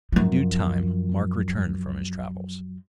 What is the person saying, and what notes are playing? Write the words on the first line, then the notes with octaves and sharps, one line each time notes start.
In due time, Mark returned from his travels.
F#2 F3